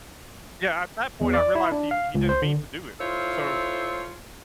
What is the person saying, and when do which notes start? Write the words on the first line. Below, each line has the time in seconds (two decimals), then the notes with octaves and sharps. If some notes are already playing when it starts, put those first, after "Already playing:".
Yeah, at that point, I realized he d he didn't mean to do it, so
1.21 E2
1.34 D5
1.55 E4
1.72 D4
1.91 F5
2.15 C#2
2.29 C5
2.42 D3
3.01 E4 F4 A4 C5 C#5